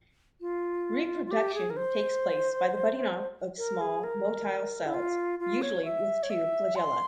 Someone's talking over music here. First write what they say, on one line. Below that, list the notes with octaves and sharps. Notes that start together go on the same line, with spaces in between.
Reproduction takes place by the budding-off of small motile cells, usually with two flagella.
F4
F4
G4
G#4
A#4
C5
A#4
G#4
A#4
E4
F4
F4
C#5
E5
C#5
E5
C6